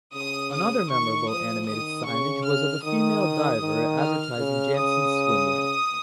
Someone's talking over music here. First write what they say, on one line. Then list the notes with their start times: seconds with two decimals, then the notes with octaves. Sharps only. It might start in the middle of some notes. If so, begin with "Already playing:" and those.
Another memorable animated signage was of a female diver advertising Jantzen swimwear.
0.13 C#3 D#6
0.53 D#6
0.90 D#3 C#6
1.29 F3 D#6
1.68 D#3 D#6
2.06 C#3 C#6
2.44 F6
2.84 D#3 D#6
3.60 D#3
3.99 F6
4.38 C#3
4.77 D#6